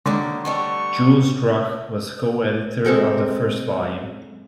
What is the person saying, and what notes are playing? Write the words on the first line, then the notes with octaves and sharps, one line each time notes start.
Jules Drach was co-editor of the first volume.
D3 D#3 F#3 A#3
G3 A3 B3 C#6
G#3 C4 A4 A#4